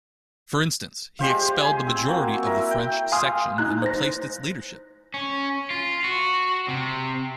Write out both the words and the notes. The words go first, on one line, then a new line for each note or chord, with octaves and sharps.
For instance, he expelled the majority of the French section and replaced its leadership.
G#3 G4 C5 F5
G#5
C4
A#3 F#4
E4 A#4
G5
F5 G#5 C6 D#6 F6
D#4 E4 A#5 F#6
C5 A#6
C#4
F4
F#4
C3